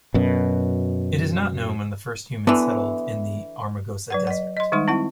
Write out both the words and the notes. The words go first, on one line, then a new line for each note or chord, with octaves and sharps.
It is not known when the first humans settled in the Amargosa Desert.
F#2 B2
D3 E3 B3
F#3 B4 F#5
D#5 F#5
D#5 C6
D#3 G3 G#3 D#4 C6
C4 E4 F#5